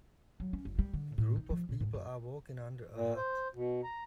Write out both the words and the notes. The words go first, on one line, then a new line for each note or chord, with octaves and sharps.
A group of people are walking under a hut.
F#3
C#4
F#1
G3
D3
A2
D#4
F3
A#2
G#2
F#2
A#2
C5
B2
A#5